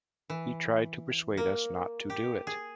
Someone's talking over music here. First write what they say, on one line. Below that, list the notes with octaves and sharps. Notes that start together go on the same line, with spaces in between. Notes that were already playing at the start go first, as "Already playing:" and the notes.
He tried to persuade us not to do it.
E3
A#3
G4
G#4